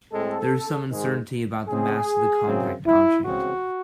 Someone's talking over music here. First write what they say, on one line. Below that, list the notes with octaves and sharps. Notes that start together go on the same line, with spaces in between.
There is some uncertainty about the mass of the compact object.
A2 G#3 C4 A4
G#2 D#3 G#3
C#3 G#3 C4 G#4
F#2 C#3 F#3 C4
E4
E2 C#3 G#3 C4 F#4